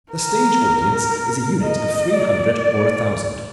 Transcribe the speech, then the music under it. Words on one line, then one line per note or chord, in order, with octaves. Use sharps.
The stage audience is a unit of three hundred or a thousand.
A#4
D#5
D5